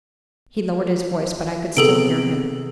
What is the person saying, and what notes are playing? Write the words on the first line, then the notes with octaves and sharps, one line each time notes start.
He lowered his voice; but I could still hear him.
C3 B3 G#4 A4 D7